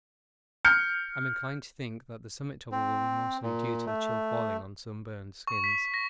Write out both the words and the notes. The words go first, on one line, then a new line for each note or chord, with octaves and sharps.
I'm inclined to think that the summit trouble will be mostly due to the chill falling on sunburned skins.
F6 G6 C#7
C4
A#2
A3
C#6
B6
A#6